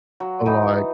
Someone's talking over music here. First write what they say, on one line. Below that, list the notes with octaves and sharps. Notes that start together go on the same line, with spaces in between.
But like
F#3
E3 D#4